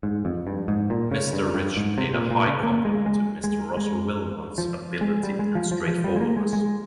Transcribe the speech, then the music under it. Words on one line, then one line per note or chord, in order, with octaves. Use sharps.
Mr. Rich paid a high compliment to Mr. Russell Willmott's ability and straightforwardness.
G#2
F2
G2
G#2
A#2
C#3
G2
G2
G#2
C3
A#2
A#2
C#3
A#3
G#3
G#3
G#3
G#3
F3
G#3
G3
G#3
F3
F3
F3
G3
G#3
A#3
G#3
G#3